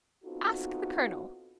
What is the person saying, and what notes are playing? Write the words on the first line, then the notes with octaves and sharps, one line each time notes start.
"Ask the Colonel."
B3 C4 D#4 F4 F#4 A4